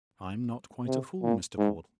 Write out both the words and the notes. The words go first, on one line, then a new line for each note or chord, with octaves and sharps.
I'm not quite a fool, Mr. Caudle.
C3
A#2
G#2